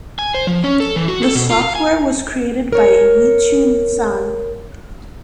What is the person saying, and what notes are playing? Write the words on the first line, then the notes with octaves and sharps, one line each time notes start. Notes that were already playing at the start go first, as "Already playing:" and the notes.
The software was created by Yichun Zhang.
G#5
C5
F3
C#4
A4
E3
F#4
A4
B2
F4
F5
G#5
A#4 C#5